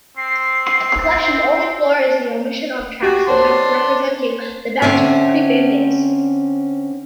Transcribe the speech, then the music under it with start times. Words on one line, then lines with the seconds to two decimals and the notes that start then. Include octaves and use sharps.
The collection's only flaw is the omission of tracks representing the band's pre-fame days.
0.17 C4 C7
3.03 F#4 G4
3.28 D4 C5 C#5 C6
4.82 D3 C4 C#4 E5